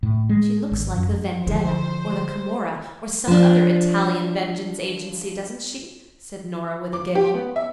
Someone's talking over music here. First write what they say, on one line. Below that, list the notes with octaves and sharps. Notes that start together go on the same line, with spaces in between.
"She looks like the 'Vendetta' or the 'Camorra' or some other Italian vengeance agency, doesn't she?" said Nora with a giggle.
A2
G#3
G#1
F#2
D3 F3 C5
F3 D4
D6
G4
B3
E5